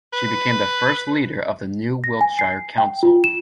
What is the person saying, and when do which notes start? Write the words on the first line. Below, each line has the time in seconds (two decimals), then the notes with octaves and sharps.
She became the first leader of the new Wiltshire Council.
0.13 B4
2.04 A#6
2.21 G#5
2.39 C7
2.78 G5
3.03 F4
3.24 E7